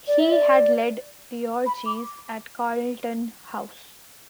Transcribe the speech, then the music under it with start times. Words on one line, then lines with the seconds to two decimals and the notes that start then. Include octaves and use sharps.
He had led the orgies at Carlton House.
0.07 D5
0.20 E5
0.32 D5
1.66 B5
1.86 D6